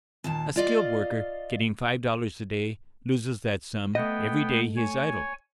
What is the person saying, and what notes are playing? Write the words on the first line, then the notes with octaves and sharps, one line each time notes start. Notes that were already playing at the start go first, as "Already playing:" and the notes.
A skilled worker getting five dollars a day loses that sum every day he is idle.
D#2 A#2 A5
F4 D5 D#5 F5
A3 B3 D#5 G5
C#5 G#5